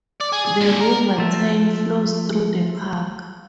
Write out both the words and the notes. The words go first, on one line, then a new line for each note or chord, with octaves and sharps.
The River Tyne flows through the park.
D5
G#4
G#4
A#2 D3
A#4
F3 A3